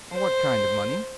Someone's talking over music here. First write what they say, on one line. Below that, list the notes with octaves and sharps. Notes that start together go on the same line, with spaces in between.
"What kind of money?"
C5